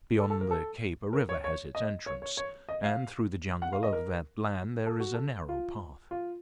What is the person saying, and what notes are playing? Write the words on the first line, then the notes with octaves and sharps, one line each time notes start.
Beyond the cape a river has its entrance, and through the jungle of that land there is a narrow path.
A4
A4
A#4
A4
A#4
C#5
C#5
D#5
C#5
C#5
C#5
D#5
F5
F#5
F5
D#5
A#4
A4
F#4
A4
F4
F4